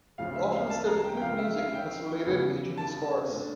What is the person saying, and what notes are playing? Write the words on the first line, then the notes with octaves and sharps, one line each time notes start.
He often studied period music and assimilated it into his scores.
D2 C#3 F3 C#4 F5
E5
F5
A5
A#5
G5
G5
C#2 C#3 F3 A#3 F5
E5
F5
G5
E2 C#3 G3
A5
A#2 A3 D4